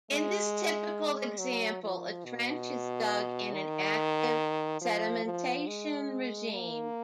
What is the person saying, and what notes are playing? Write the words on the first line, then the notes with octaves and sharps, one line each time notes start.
In this typical example, a trench is dug in an active sedimentation regime.
G#3
F#3
F3
B2
D#3
F3
F3
G#3
A#3